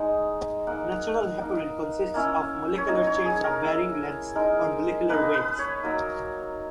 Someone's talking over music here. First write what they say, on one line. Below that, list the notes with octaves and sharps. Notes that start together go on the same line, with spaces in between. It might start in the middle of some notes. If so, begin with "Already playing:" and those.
Natural heparin consists of molecular chains of varying lengths, or molecular weights.
Already playing: G#3 D#4
A#3 D#4 F#5
A#3 D#4
A#3 C#4 E4
C#5
A#3 D#4 D#5
C#5
G#4
A#4
A#3 E4
G#3 D#4 A#4
A#3 D#4 B4
B4
B4
C#5
F#3 A#3 D#4